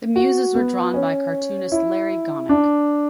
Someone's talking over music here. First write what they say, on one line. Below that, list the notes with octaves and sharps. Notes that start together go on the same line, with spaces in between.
The Muses were drawn by cartoonist Larry Gonick.
F#4
B3
C#4
E4
D4